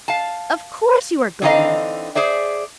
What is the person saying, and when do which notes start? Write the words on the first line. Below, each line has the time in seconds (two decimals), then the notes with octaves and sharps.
"Of course you are going."
0.08 F5 A5
1.42 D3 E3 C4 D#4 D#5 F5
2.15 G#4 C5 D5 E5